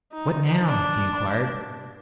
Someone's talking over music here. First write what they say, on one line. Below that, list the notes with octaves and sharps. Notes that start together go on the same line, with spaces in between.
"What now?" he inquired.
D#4
D4